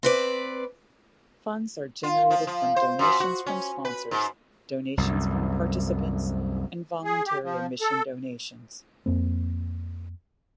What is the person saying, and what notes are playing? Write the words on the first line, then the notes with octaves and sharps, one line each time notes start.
Funds are generated from donations from sponsors, donations from participants and voluntary admission donations.
C4 B4 D5
F4
F3
F3
C5
F#2
F#4
C#4
B4
G#2
C2 F#2
G#4
G4
F3
A4
F2 A#3 C4